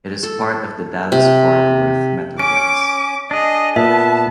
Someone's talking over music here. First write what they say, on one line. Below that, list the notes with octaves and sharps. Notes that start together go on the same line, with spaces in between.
It is part of the Dallas-Fort Worth metroplex.
A4
C3
C#4 D6 D7
D4 G#4 D#5
A#2 B3 E5 A5